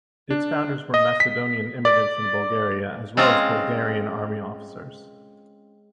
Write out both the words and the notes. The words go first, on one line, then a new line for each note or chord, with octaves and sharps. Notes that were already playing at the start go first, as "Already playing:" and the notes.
Its founders were Macedonian immigrants in Bulgaria as well as Bulgarian army officers.
D4
D#5
B6
D5
G#3 C4 C#4 F4 A5 A#5